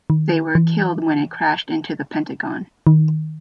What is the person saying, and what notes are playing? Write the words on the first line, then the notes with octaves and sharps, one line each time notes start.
They were killed when it crashed into the Pentagon.
D#3
E3
D#3